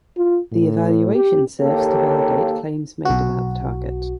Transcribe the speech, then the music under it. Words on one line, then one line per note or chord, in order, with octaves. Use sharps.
The evaluation serves to validate claims made about the target.
F4
A2
G4
D#2 A#3 G4 A4 C#5
B1 F#4